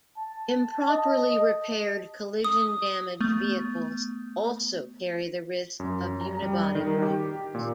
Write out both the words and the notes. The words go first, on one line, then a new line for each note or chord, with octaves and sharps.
Improperly repaired collision-damage vehicles also carry the risk of unibody problems.
A5
D#5
D#6
A3 B3
F#2
A#5
G3
D#3
G4
A#2